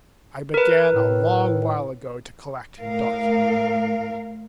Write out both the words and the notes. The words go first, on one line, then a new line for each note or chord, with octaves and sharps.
I began a long while ago to collect documents.
A#4 B4
A2
A2 A#4 F5